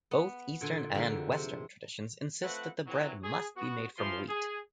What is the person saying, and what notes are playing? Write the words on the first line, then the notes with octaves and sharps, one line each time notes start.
Both Eastern and Western traditions insist that the bread must be made from wheat.
B3
A#2 D3 G#5 C6
F2 D3 E3 G#3 G4 A#4
C3 C5
F3 A3 C4 B4 F#5
C3 E3 F#3
G#4
B3 F#4
E3 F3 C6
G#4